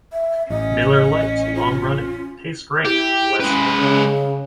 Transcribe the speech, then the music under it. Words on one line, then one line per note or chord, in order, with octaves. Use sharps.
Miller Lite's long-running Tastes Great!...Less Filling!
E5
A1 C#4 D#5
F4
E4 G4
G#3 C#4 B4
C#3